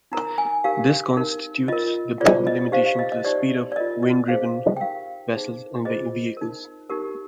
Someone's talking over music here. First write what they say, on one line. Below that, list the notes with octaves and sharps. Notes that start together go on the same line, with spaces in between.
This constitutes the main limitation to the speed of wind-driven vessels and vehicles.
D#4 A#4 A#5
G#5
D#4 G4 A#4 F5
D#4 A#4
F4 A#4 D#5
F4 G#4 C5 D5
D#5
D#4 G4 C5 F5
F5
D#5
D#5
D#4 G4 C5 D5
D5
F4 A#4 D#5
D#5
D#4 G#4 C5 F5
G5
D#4 G4 A#4 F5
D#4 G#4 C5
F4 G#4 C5 D#5
D#4 A#4
D#4 G4 A#4